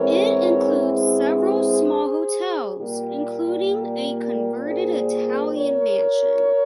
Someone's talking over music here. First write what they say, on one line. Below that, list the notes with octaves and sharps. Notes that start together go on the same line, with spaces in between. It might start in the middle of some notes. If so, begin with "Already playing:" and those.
It includes several small hotels, including a converted Italian mansion.
Already playing: E2 E3 G#3 C4 A#4 C#5
G#4 C5
A#2 G3 A#3 G4 A#4
G#4 C5
A#4 C#5